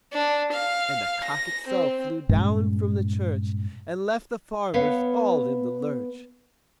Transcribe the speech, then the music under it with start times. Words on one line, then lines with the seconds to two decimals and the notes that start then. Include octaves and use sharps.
And the cock itself flew down from the church, And left the farmers all in the lurch.
0.13 D4
0.53 F5
1.25 A#6
1.68 C4
2.29 G2 A#2 G#3 C#4
4.74 B3 B4 C#5 F5